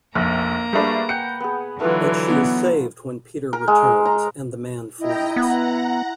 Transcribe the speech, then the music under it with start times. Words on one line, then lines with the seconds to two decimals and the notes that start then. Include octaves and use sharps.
But she is saved when Peter returns, and the man flees.
0.15 F1 A#1 A#3 A#5
0.73 G3 A3 D4 G#4 B4
1.09 F#5 G5 C#7
1.40 B3 G#4
1.80 D3 E3 F#3 A3 F4 B4
2.27 B3
3.53 A#4
3.68 G#3
4.05 A#5
4.99 E4 D#5 G5 A#5
5.36 B3 F#5 A#5